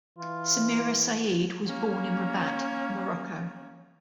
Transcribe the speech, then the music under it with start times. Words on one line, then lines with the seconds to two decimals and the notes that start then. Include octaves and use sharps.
Samira Said was born in Rabat, Morocco.
0.19 E3 F4
1.66 A#3 C#4